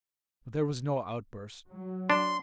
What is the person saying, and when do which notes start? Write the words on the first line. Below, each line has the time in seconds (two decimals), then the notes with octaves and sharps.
But there was no outburst.
1.68 F#3
2.10 D4 C6